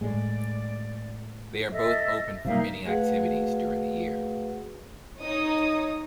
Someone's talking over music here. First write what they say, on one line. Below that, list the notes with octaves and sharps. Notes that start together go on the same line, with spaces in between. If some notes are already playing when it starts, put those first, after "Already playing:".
They are both open for many activities during the year.
A2 G#3 D5
A4 D#5 E5
C3 G3 A#3 D#4 E5 F5
A3 F#4 G#4 B4 F5 F#5
D#4 C#5 D#6